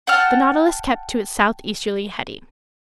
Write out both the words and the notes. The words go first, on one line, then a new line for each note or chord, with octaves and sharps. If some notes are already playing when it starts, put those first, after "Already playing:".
The Nautilus kept to its southeasterly heading.
F#5 G5 A5 F6